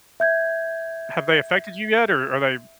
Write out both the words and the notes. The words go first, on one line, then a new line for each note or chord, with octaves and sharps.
have they affected you yet, or are they
E5 G6 G#6